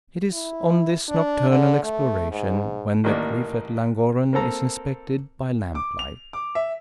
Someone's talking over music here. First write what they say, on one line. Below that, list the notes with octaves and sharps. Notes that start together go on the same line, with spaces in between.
It is on this nocturnal exploration, when the cliff at Llangorren is inspected by lamplight.
E4
D4
D3
A3
G#2
A1 D#3 A#3 D5
A#3 C4 A4 A#5
D6
F7
D6
E5